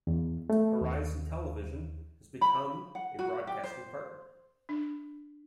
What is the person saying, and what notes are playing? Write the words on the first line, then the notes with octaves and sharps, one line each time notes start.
Horizon Television has become a broadcasting partner.
E2
A3
D#2
B5
F#5
F#4
G4
C5
D4